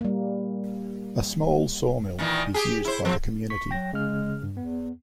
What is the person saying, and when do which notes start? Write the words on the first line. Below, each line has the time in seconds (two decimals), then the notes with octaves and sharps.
A small sawmill is used by the community.
0.01 G3 A#3
2.19 A#2 D#3 E3
2.54 G4 G#4
2.85 E4 C5
3.05 F3 C4
3.50 C#6 B6
3.71 F#3 G5 A#6
3.93 C#3 G#3 F6
4.43 G2
4.57 E2 B3